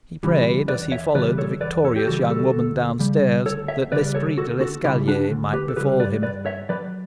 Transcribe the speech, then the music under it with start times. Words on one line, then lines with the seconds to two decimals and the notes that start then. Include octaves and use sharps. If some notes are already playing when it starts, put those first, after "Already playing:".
He prayed, as he followed the victorious young woman downstairs, that l'esprit de l'escalier might befall him.
0.23 C#3 E3 G3
0.68 E2 B4 D5
0.91 C#5 E5
1.15 C#3 E3 G3 B4 D5
1.38 A4 C#5
1.60 E2 B4 D5
1.85 A4 C#5
1.96 G4
2.07 C#3 E3 G3 F#4 A4
2.30 F#4 A4
2.53 D2
2.99 C#3 G3
3.46 D2 A4 C#5
3.68 C#5 E5
3.92 C#3 G3 B4 D5
4.15 A4 C#5
4.38 D2 F#4 A4
4.61 F#4 A4
4.84 C#3 E4 G4
4.88 G3
5.08 D4 F#4
5.31 D2
5.53 G4 B4
5.69 A4
5.76 C#3 G4 B4
5.80 G3
6.00 B4 D5
6.23 G2 B4 D5
6.46 C#5 E5
6.69 F#3 B4 D5